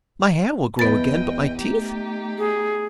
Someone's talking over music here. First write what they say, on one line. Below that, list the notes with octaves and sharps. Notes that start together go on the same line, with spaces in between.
My hair will grow again, but my teeth!
E2 B3 B4 D#5 G5 A6
A3 D#4 G4
G#4